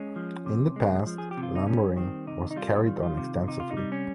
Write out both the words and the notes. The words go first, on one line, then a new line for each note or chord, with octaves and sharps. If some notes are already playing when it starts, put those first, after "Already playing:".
In the past, lumbering was carried on extensively.
Already playing: G#3 C#4
F3
C3
G#3
F3
G#4
G4
C3
F4
D#4
G3 C#4
D#3 C4
C3 D#4
D#4
G3 F4
D#3
F4
C3
C3 D#4
F4
D#4
G3
C#4